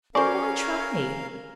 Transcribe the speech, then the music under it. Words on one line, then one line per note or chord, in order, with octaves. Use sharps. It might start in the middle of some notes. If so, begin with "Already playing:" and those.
Then why try?
C#4 A4 A#4 C5 D5 F5 G#5 C#6